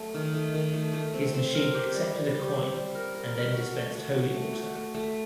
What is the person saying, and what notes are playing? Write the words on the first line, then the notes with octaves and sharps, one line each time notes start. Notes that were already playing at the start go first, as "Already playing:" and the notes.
His machine accepted a coin and then dispensed holy water.
Already playing: F#3 A3
D#3
A3
D#3
A3
A3
C4
C4
A#4
G4
G3
G3
G4
C4
G3
A#4
A#4
A#4
F#4
A3
F#4
F#4
A3
F#4
A3
A3